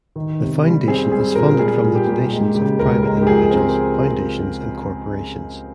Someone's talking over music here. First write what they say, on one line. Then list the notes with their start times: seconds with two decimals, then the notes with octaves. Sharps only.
The Foundation is funded from the donations of private individuals, foundations, and corporations.
0.16 D#3
0.40 C3
0.64 G3
0.87 C4 G#4
1.11 G3 G#4
1.35 A#2 A#4
1.59 G3 G#4
1.83 A#2
1.95 G4
2.07 A#3
2.31 G#3
2.55 C#3 G4
2.79 C#2 A#4
3.03 G#3 A#4
3.22 G4
3.27 F3 G#4
3.50 C4 A#4